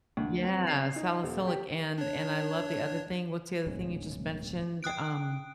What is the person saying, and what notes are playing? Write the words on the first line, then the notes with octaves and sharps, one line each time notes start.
Yeah, salicylic, and and I love the other thing. What's the other thing you just mentioned, um
D2
C4
C7
D#4
D#1
G4
D4 C#5
D1 B1 G#2 C#4
G5 D#6 F#6 D7